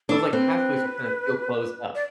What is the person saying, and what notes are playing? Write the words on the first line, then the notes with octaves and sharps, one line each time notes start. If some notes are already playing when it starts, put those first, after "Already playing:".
Those, like, pathways are kinda feel closed up.
D4 A4
C4 B4
D5